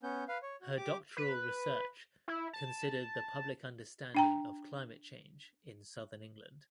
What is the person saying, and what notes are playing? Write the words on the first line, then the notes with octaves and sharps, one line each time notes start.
Her doctoral research considered the public understanding of climate change in Southern England.
B3 C#4 G6
B4 F5
C#5
F#4
G4 D6
B4
E4
A5
D4 G5 A#5